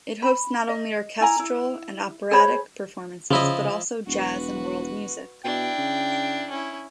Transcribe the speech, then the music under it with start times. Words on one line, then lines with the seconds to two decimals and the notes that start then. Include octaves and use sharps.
It hosts not only orchestral and operatic performances, but also jazz and world music.
0.22 B5
0.69 D#5
1.21 E4 G#5 A#5
1.39 E4
2.31 G#4 C5 C#5 B5
3.31 C#3 F3 E4 D#5
4.07 E1 F#4 B4
5.44 B2 D4 E4 G5
5.78 C#3
6.50 C#4 E4